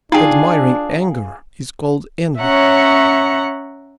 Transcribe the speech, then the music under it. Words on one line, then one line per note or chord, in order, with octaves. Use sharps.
Admiring anger is called envy.
D4 D#4 F4 G#4 G5
C#4 C#5 E5 F#5 A#5